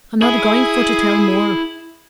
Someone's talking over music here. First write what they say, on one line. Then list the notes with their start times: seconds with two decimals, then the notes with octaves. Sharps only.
I'm not going for to tell more.
0.22 E4 G#4